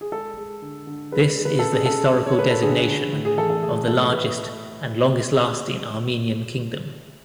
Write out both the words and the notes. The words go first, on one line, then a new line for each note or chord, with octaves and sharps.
This is the historical designation of the largest and longest-lasting Armenian kingdom.
G#4
G#3 A4
G#3
D3
D3
G#3 B4
G#3
B4
C#3 A4
G#4
C#3 A4
G#3
C#5
G#3 B4
A4
D3 G#4
D3
A2
G#4
E3 A4
A4
A3 G#4
A2 A4
A3 B4